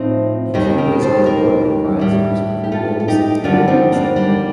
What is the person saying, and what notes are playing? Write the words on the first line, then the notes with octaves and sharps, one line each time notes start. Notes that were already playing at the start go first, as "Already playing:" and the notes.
Akiba is on the Board of Advisors of the Global Security Institute.
Already playing: A2 F3 C4 D#4
D#2 D#3 G3 D#4 G4
G4 A#4
A4 C5
G4 A#4
A2 G3
G4
F4 A4
A4
D#4 G4
D#2 D3 G3 D4 F4
C4 D#4
A#3 D4
G3 A#3